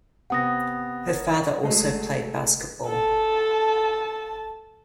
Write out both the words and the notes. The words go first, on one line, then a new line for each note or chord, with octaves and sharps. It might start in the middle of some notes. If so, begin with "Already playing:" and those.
Her father also played basketball.
C3 B3 F#5 D#6 A#6
A#4 C#5 G#6
F#3 G#3 A3
A4 A5